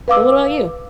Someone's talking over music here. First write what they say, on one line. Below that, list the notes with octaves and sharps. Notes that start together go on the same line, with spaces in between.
but what about you?
B4 F5 D6 E6